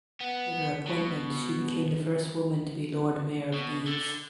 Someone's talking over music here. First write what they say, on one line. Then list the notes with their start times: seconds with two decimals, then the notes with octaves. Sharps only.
With her appointment she became the first woman to be Lord Mayor of Leeds.
0.21 B3
0.87 B2
3.54 B2
3.87 D3